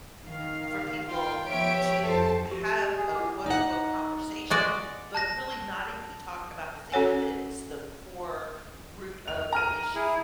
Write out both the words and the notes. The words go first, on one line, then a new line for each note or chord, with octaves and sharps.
for people to have a, quote-unquote, "conversation," but really not even be talking about the thing that's the core root of the issue.
D#3 F5
F4 G5
F3 B3 G4 C#5 E5 D7
F2 A4 C5 A5
G4
G#4
E4 F#5 D6
D#4 F#5
G#3 F#4 D5
A5 F#6 A#6
C#4 F#4 A4 C#5 F#5 G#5
F7
A#5 F6 D#7
E4 G#4